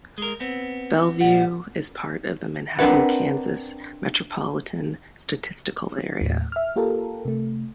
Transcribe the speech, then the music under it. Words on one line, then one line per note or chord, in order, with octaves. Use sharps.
Belvue is part of the Manhattan, Kansas Metropolitan Statistical Area.
G#3 A#4
B3 C4
A#2 G3 F#5
C4 D4 A#4 B4 F#5
D#2 A2
E5 F6
A#3 F4 G4 A4 A#4
C3 A3